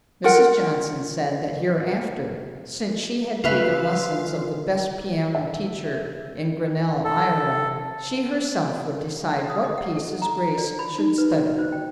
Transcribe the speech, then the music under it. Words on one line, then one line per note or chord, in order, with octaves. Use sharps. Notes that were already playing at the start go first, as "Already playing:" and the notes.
Mrs. Johnson said that hereafter, since she had taken lessons of the best piano teacher in Grinnell, Iowa, she herself would decide what pieces Grace should study.
F4 A#4 F#5
C#3 F4 B4 E5 F5
E5
A4
D#6
D#5
F#5
A4
A#5
D5
B5
D#4
B4
F#4
C5
G5